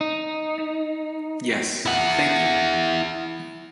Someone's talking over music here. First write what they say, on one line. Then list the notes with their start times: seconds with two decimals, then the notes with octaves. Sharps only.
Yes, thank you.
0.01 D#4
1.86 E4 F#5